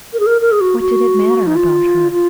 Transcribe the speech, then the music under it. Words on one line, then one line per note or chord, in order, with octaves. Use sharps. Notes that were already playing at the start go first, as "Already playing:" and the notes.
What did it matter about her?
A#4
G#4
A#4
A#4
G#4
F#4
F#4
D#4
F4
F4